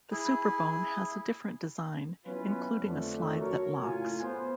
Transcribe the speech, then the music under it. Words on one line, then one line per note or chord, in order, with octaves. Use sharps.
The Superbone has a different design, including a slide that locks.
E4 G#4
F#3 B3 C#4 E4 F4 B4
F2 D3 A3
F#4 A#4 C#5
F#1 A2 F4 G#5
B3 C5